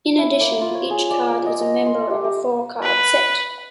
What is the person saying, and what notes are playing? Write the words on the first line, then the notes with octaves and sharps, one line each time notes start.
In addition, each card is a member of a four-card set.
E4
A#3
F4
C#5
G#4
D5
G5
D#5
A#5
C6
G4
G4
B4